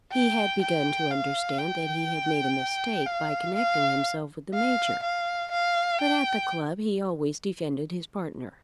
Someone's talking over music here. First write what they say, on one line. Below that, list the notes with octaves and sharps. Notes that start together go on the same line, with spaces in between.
He had begun to understand that he had made a mistake by connecting himself with the Major, but at the club he always defended his partner.
G5
G5
F5
G5
F5
F5
F5
F5
F5
G5